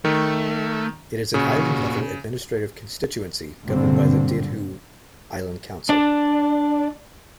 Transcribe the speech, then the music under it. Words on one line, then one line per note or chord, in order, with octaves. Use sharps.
It is an island-level administrative constituency governed by the Dhidhdhoo Island Council.
D#3 A3
A#2 C#3 F#4
F#1 B1 G2 A#2 D3 C4
D4 D5